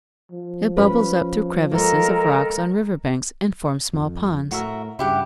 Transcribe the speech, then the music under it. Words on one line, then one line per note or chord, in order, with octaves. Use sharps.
It bubbles up through crevices of rocks on river banks and forms small ponds.
F3
C#4 B4
G#3 A#3 A4 A#4
F2
A2 F#4 A#4 E5
G2 C#3 E4 G4 F#5